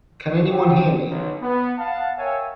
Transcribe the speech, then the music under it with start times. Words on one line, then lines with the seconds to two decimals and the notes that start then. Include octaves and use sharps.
Can anyone hear me?
0.49 F4 G4
1.09 B1
1.41 B3
1.78 F5 F#5 A5
2.18 A#4 C#5 E5 F5 G5 G#5